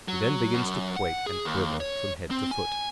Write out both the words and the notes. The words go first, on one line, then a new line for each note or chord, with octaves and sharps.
He then begins to quake and quiver from head to foot.
F#3
F#2
F#5
G#4
D#2
C#5
C4
G#5